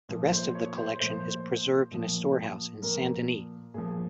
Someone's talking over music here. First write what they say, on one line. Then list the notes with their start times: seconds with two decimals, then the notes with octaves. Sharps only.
The rest of the collection is preserved in a storehouse in Saint-Denis.
0.09 A#2 F3
0.32 C5
0.55 C#5
0.77 C5
1.00 A#2 F3 C5
1.91 A#2 F3
2.82 A#2 F3 A#4
3.74 A#2 G#4
3.78 F3